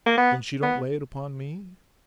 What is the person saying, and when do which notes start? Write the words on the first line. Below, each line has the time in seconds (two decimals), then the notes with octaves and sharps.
Then she don't lay it upon me?
0.06 A#3
0.18 B3
0.62 B3